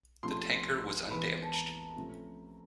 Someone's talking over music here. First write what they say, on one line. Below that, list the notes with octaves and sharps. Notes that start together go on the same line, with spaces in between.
The tanker was undamaged.
C3 F3 A3 C#4 C6
E3 G#3 B3 B5
A5
A#5
C3 F3 A3 C#4